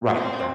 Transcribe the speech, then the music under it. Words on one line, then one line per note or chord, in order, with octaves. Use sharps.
Right, right.
C4